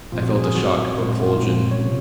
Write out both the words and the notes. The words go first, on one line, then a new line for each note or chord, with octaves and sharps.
I felt a shock of repulsion.
A#2 F3 C4 F4
F#4
G#4
G#4
D#3 F#3 C4 F#4
A#2 G#3 C4 F4
F#4
F4
D#4
A#2 G#3 C4 C#4
F4
C#5
C3